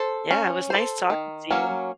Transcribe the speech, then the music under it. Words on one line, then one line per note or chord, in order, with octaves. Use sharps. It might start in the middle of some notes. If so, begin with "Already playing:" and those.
Yeah, it was nice talking to you.
Already playing: A4 C5
C#4
A4 C5
D#3
F#3 A#3 C#4